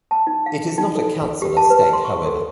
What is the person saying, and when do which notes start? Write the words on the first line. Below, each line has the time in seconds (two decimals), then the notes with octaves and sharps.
It is not a council estate however.
0.11 A5
0.27 D#4
0.46 F5
0.78 D#4
0.95 A4
1.42 G4
1.57 A5
1.70 B4
1.93 C6
2.05 C#6
2.26 A4